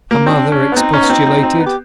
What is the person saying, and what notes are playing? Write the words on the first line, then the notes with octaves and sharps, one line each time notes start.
Her mother expostulated.
A#3
C4 D4
C#4
B3
C4 D#4
C#4
B3
C4
C4
C4
B3
G4